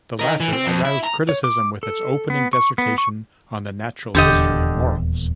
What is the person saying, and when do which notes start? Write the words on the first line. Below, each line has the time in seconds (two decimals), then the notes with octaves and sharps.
The latter aroused criticism, with its opening dissertation on the natural history of morals.
0.19 D#4 A#4
0.40 E3
0.53 C4
0.66 F2
0.85 E4
1.04 A#5
1.29 C#5
1.44 D6
1.83 A4
2.30 B3
2.53 C#6
2.78 B3
2.98 C#6
4.15 D#1 E2 D3 G4 D#5